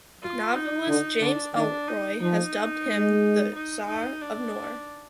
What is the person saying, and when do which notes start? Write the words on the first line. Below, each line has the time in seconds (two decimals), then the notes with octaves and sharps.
Novelist James Ellroy has dubbed him "The Czar of Noir".
0.22 F4
0.55 D#4
0.88 D3 D#4
1.21 D3 D4
1.54 D#3 D4
1.88 D#4
2.21 F3 D#4
2.88 G#3
3.54 D#4
3.87 D#4
4.21 D4